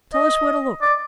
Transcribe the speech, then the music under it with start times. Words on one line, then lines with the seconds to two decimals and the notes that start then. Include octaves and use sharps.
'Tell us where to look.'
0.14 D#5
0.82 D5